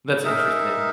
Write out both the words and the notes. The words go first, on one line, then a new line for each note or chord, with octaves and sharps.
That's interesting.
D#4 G#4 A#4 E5